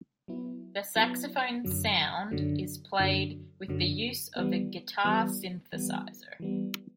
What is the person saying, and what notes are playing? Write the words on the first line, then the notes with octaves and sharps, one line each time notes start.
The saxophone sound is played with the use of a guitar synthesizer.
F#3 B3 E4
F#3 B3 E4
F#2 D3 F#3
F#2 D3 F#3
F#2 D3 F#3
F#2 D3 F#3
E3 G3 B3
E3 G3 B3
E3 G3 B3
E3 G3 B3